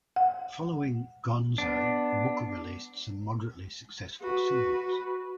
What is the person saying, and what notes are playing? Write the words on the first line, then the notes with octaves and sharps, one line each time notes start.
Following "Gonzo", Booker released some moderately successful singles.
F#5
B3 D4
F#4 B4